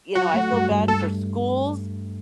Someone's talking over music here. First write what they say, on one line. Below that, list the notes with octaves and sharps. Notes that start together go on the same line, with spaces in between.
you know, I feel bad for schools,
F#3 F#4
A3
G2
G2
A3 A4